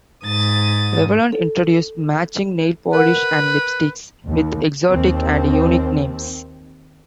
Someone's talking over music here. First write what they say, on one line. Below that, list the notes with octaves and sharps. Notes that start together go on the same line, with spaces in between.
Revlon introduced matching nail polish and lipsticks with exotic and unique names.
G#2 D#6 A6
A4
A#4 B4 F#5
D#2
D#2 C4